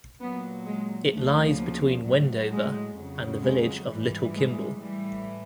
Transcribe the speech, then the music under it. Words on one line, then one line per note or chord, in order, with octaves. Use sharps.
It lies between Wendover and the village of Little Kimble.
A#2 F#3 B3
G#3
D2 C#3 F3 A3
A#3
A2 F#3 A3
G#3
F2 C#3 F#3
G#3
G#2 E3 G3
G#3
A2 E3 G3